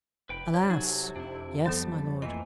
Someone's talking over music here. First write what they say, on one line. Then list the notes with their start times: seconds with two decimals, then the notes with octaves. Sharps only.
"Alas! yes, my lord."
0.29 F1 B4 G5 B5
0.54 C#2 C#5
0.70 C3 F#3 D#4 F#4 A4 G#5
1.16 F2 D4 E4
1.66 F3 G3 B3 A4 A5
2.22 E3 A3 A#3 F4 D#5